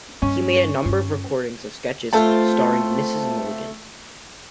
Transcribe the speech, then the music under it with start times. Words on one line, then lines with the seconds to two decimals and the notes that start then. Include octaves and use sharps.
He made a number of recordings of sketches starring Mrs. Mulligan.
0.22 G2 C#4
0.85 G2 F4
2.13 A3 C4 F4 C5 A5